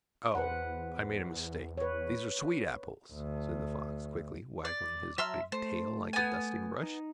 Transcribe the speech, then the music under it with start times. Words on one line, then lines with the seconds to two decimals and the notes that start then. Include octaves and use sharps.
"Oh, I made a mistake, these are sweet apples," said the fox, quickly, waggling his big tail like a dusting brush.
0.35 E2 B4 C5 F#5
1.78 B4 C#5
3.13 D2
4.65 D5
5.18 F#3 E5 A5 A#5 C6 F6
5.52 A3 C5
6.13 B3 G#5
6.83 D#4